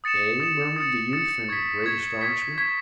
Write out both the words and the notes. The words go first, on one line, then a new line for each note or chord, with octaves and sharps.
"Eh?" murmured the youth in great astonishment.
D#6 A6 C#7 E7
D#6 A6 C#7 E7
D#6 A6 C#7 E7
D#6 A6 C#7 E7
C#6 G#6 B6
C#6 G#6 B6
C#6 G#6 B6
C#6 G#6 B6